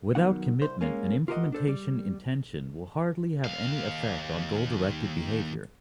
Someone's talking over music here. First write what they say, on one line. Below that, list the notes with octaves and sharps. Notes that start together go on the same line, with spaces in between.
Without commitment, an implementation intention will hardly have any effect on goal-directed behavior.
B2 D#3 F#3 A#3 D#4 F#5
C2 C5
G#3 A#3 C#4
F4 G4 A#4 C5 D#5 F#5
D4 A4 C5
G3
D#2 F5